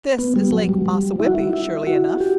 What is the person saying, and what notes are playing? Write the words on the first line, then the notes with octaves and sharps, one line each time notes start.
This is Lake Ossawippi surely enough.
B3
G3
F#3
G3
G3
E4
F#4
E4
E4
F#4
G4